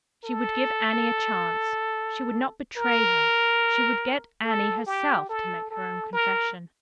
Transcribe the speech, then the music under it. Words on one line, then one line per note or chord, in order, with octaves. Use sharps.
She would give Annie a chance, she would not betray her, she would get Annie herself to make her own confession.
A4
A#4
A4
G4
A4
A4
A#4